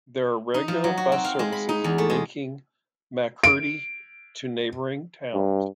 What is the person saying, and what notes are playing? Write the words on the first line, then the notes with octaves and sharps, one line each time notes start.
There are regular bus services linking Makurdi to neighbouring towns.
D#4
F3
F#3
F#4
C4
F5
G#3
B5
D#4
E2
A3
G#3
D7
G2